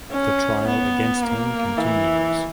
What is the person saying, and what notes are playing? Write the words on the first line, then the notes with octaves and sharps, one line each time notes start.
The trial against him continues.
C#4
B3
A#3
E3